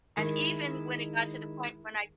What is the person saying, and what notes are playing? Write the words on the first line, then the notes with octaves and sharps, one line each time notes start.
And, even when it got to the point when I
D#3 G#3 E4